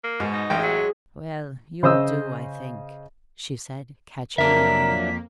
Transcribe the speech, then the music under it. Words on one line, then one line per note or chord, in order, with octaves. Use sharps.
'Well, you'll do, I think,' she said, catching my arm.
A#3
G#2 B2
D#4
A1 G#3 G5
F#3
C#3 C5 D#5 D#6 E6
F2 F#3 A#3 D4 A#4 E5 B6